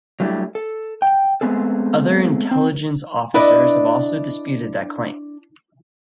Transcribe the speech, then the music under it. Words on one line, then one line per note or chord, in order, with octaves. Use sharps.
Other intelligence officers have also disputed that claim.
F#3 G3 A3 D4 E4 G4
A4
G5
G#3 A3 B3 C4 G#4 A4
C4
D4 E4 B4 D5 D#5